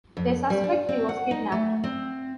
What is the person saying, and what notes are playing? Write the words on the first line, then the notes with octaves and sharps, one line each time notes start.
They suspect he was kidnapped.
F2
G3
D4
C4
F#5
D#4
A3
C4